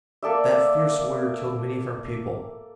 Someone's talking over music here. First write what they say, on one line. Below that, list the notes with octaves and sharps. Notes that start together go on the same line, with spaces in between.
That fierce warrior killed many of our people.
A#3 A4 D5 E5